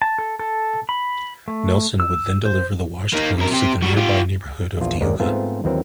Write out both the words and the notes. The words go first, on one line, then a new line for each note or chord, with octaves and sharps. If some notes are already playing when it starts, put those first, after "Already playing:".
Nelson would then deliver the washed clothes to the nearby neighborhood of Tijuca.
A5
A4
A4
B5
A3
E6
C5
A#3 D#4
F2 A#4
C3 G4
G3 F#4
F4 G4
A#1 E2 F4
G#1 D#2 D#3 G#3 A#4 D5
G#2 A3 B3 C4 F4
D#2 E3 F#3 C4 A#4